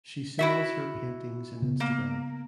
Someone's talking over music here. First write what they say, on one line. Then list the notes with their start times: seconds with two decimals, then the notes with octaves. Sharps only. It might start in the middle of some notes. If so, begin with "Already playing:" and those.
She sells her paintings in Instagram.
0.39 E4 F#4 E5
1.62 C#3 B3
1.80 A#3